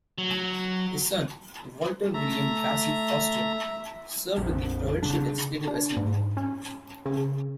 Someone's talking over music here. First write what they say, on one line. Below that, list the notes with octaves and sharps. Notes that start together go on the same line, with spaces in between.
His son, Walter William Vassie Foster, served in the provincial Legislative Assembly.
F#3
A3 E5 A#5
A#1 F2
C#3 D4
D4
G#2
C#4
C#3